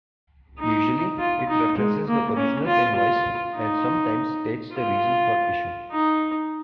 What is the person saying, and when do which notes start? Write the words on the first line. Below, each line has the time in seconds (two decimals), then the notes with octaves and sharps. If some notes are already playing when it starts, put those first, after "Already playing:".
Usually it references the original Invoice and sometimes states the reason for issue.
0.59 D#4
1.19 F4
1.49 D#4
1.78 G#3
2.08 A#3
2.37 C#4
2.66 F4
2.96 F4
3.55 D#4
4.74 F4
5.92 D#4